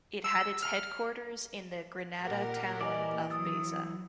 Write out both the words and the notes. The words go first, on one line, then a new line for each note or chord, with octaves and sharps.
It had its headquarters in the Granada town of Baza.
E6
F6
A#2 G4 A#4 F#5
E3 E4 D5 D#5 G#5 D6
F#3 D#6 E6 A6